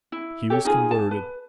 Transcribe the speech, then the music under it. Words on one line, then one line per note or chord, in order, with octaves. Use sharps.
He was converted.
E4
G4 A4 C#5
D#4 F4 G#4
A5
B4